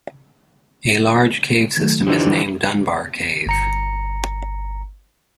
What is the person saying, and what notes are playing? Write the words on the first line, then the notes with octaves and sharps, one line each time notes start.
A large cave system is named Dunbar Cave.
D#3 F#3 A3
D3 E3 F3 D4 D#4 G4
G1 A#5 C#7